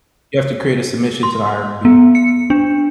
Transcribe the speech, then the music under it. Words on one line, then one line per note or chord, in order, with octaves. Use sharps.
you have to create a submission to the IRB.
C6
B3
C#7
D4